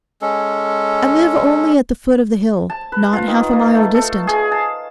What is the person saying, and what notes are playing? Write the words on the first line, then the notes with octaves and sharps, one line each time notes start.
I live only at the foot of the hill, not half a mile distant.
G#3 C#4 A4
A5
B4
F4
D#3
A#3
A3
A4
G#4
A5